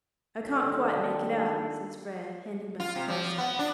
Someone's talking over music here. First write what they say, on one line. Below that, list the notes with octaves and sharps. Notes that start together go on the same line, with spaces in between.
"I can't quite make it out," says Frere, handing back the telescope.
A#2 D#3 G3 D4 D#4 A4
F4
C3
F3
B3
D4